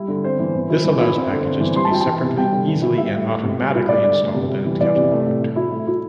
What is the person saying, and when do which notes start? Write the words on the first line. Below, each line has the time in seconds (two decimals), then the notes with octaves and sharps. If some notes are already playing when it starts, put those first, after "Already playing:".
This allows packages to be separately, easily and automatically installed and catalogued.
Already playing: G3 E4
0.08 D3
0.24 C4 C5
0.39 E3
0.55 E3
0.70 E4
0.84 E3
1.00 E4
1.16 C4
1.31 D3
1.46 C4
1.61 E3
1.76 G3 C6
1.85 A5
1.91 E4 G5
2.01 A5
2.06 E3
2.22 C3
2.37 G3 G5
2.52 D3
2.67 E3
2.82 E4
2.98 G3 E5
3.13 A2
3.28 A3
3.43 C3
3.59 G3
3.74 E4
3.89 G3 D5
4.04 D3
4.20 A3
4.34 C3
4.50 G3
4.65 E3
4.80 E3 D5
4.95 C3
5.11 A3
5.26 A2
5.41 A3
5.56 E4
5.71 A3
5.87 E4